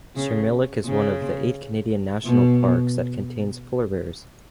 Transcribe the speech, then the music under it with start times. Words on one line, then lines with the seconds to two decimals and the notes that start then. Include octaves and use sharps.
Sirmilik is one of eight Canadian national parks that contains polar bears.
0.15 C#3
0.85 C#3
2.24 B2